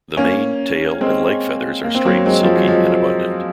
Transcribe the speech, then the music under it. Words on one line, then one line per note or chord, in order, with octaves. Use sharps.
The mane, tail and leg feathers are straight, silky and abundant.
A#3 C#4
G#3 C4
A#3
C4
F#3 A#3
G#3 C4
F3
F#3
F3 G#3